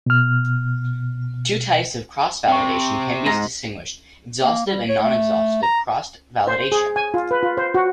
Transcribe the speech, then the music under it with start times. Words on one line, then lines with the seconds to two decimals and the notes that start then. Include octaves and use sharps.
Two types of cross-validation can be distinguished, exhaustive and non-exhaustive cross-validation.
0.06 B2 F6
2.48 C3 G5 C#6
3.26 G#2 C5 A#5
4.44 A#3
4.66 G3
4.89 C#5
5.02 A3
5.63 A#5
6.47 C5
6.72 G#4
6.96 G#5
7.14 F4
7.31 B4
7.43 F4
7.57 C5
7.74 F#4